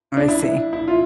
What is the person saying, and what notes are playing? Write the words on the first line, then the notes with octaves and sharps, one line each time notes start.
I see.
D4
E4
E4
F4